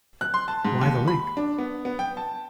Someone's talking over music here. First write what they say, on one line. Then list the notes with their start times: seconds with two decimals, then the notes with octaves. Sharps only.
Why the link?
0.21 F#6
0.34 C6
0.48 A5
0.65 G#2
0.81 D#2
1.08 B5
1.37 D4
1.58 B3
1.85 B3
1.99 G5
2.17 A5